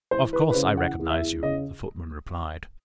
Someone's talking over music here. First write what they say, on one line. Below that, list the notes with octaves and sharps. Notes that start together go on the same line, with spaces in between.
"Of course I recognise you," the footman replied.
E3 C5
E3 B4
B4
C#3 C5
E3 F#5
E2
E5
E2
C#3 D#5